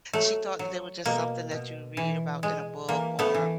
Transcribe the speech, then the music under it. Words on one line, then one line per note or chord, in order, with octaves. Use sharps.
she thought that they were just something that you read about in a book or
F#3 A3
F#3
B2 A#3
B2
E3
G#3
E3 A#3
A3 B3
E3